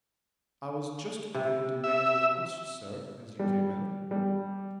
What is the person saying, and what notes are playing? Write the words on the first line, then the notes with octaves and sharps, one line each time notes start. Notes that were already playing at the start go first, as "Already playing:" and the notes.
"I was just beginning to make the request, sir, as you came in."
C3
E5
G3
G3